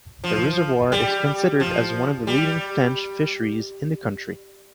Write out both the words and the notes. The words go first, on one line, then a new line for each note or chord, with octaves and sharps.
The reservoir is considered as one of the leading tench fisheries in the country.
F3
G3
F3
G3